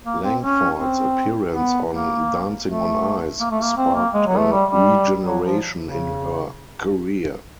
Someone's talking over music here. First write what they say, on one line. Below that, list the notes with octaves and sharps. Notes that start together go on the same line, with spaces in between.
Langford's appearance on "Dancing on Ice" sparked a regeneration in her career.
A#3
C4
C#4
C4
B3
A#3
A3
A#3
A3
A#3
C4
A#3
G#3
F#3
A3
G3
G3
F#3
F3
C#3